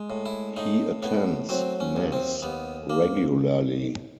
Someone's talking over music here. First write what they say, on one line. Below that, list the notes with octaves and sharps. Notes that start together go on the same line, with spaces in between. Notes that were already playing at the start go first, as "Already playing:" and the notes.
He attends Mass regularly.
Already playing: G#3
A2
E4
A2 D#4
A2 B3
F#3 C4
C#4
D#2
C4
D#2 B3
A#3